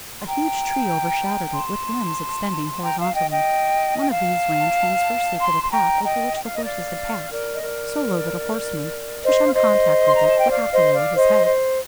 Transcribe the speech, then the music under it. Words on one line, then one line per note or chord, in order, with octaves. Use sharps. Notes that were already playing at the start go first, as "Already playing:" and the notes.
A huge tree overshadowed it, with limbs extending horizontally. One of these ran transversely to the path over which the horses had passed--so low that a horseman, to shun contact with it, would have to lower his head.
C6
G5 A#5
A5 C6
A5
G5 A#5
F5 A5
D#5 G5
D#5 G5
G5
F5 A5
A5 C6
C6
G5 A#5
D#5 G5
G5
F5
D#5
D5 F5
A#4 D5
D#5
A#4 D5
C5 D#5
F5
C5 D#5
C6
A#5
A5
G5
D5 F5
C5 D#5
D5 F5
C5 D#5
C5